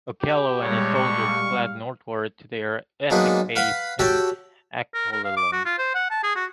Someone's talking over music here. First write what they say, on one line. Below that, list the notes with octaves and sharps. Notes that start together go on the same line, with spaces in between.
Okello and his soldiers fled northward to their ethnic base in Acholiland.
G4
D2 G2 A#2 G3 G#3 C#5
C#6
F5
F#3 G#3 A#3 B3 D4 D#4
B4 F5 F#5 B5
F#4 G4 A4 C#5 G5
A#4
A#4
F5
D6
F#4
F4
C5
F#5
A5
G#4
F#4